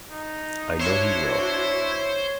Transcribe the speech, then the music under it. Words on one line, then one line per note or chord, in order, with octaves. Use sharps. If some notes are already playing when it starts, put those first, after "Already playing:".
I know he will!
D#4
D4 E4 F#4 C5 C#5